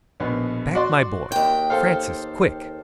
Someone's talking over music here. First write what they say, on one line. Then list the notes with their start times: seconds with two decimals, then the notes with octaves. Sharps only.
"Back, my boy! Francis, quick!"
0.20 A#1 B2 B3
0.75 F#4 D5 C6
1.32 D#2 G5
1.70 A4 C5 F5